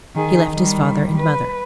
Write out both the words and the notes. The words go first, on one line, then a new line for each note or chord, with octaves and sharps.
He left his father and mother.
D#3 G#4
D#3 G3
B4